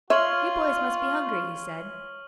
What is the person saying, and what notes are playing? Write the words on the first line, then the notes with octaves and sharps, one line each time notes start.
'You boys must be hungry,' he said.
F4 C#5 E5 C6 C#6 F6 F#7